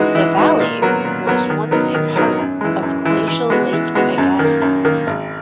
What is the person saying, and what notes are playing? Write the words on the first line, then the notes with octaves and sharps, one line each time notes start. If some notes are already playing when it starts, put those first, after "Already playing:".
The Valley was once a part of glacial Lake Agassiz.
Already playing: E3 G#3 D#4 F#4 B4
E3
G#3 D#4 F#4 B4
A#2
F#3 B3 F#4 A#4
A#2
F#3 B3 F#4 A#4
D#3
F#3 B3 D#4 A#4
D#3
F#3 B3 D#4 A#4
F#2
E3 G#3
F#2
E3 G#3
E3
G#3 B3 F#4
E3
G#3 B3 F#4
F#2
D#3
A#3
F#2
D#3 A#3
G#1